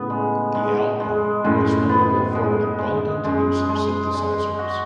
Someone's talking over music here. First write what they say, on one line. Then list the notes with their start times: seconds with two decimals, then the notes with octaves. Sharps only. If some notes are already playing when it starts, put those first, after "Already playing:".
The album was notable for an abundant use of synthesizers.
Already playing: A2 C#3 B3
0.10 G#3
0.55 G#3
1.00 G#3
1.44 F#2 A2 G#3
1.89 B3
2.35 G#3
2.79 G#3
3.24 F#2 G#3
3.69 G#3
4.14 G#3
4.59 F#4